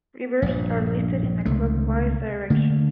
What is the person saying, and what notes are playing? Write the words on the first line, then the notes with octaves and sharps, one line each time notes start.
Rivers are listed in a clockwise direction.
A#1 G2
C#2 C3 D#3 A3
D3 A3 A#3